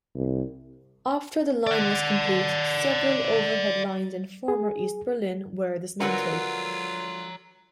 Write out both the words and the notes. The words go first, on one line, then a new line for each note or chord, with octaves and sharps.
After the line was complete, several overhead lines in former East Berlin were dismantled.
C2
D5 F#5
G#4
D3 F#3 F4 A#4 B4 C#5 F#5 A#5